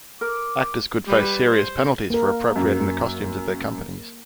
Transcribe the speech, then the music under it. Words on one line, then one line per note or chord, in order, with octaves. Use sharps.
Actors could face serious penalties for appropriating the costumes of their companies.
A#4 D6
G3 B4
C5
A#3 A#4
F#2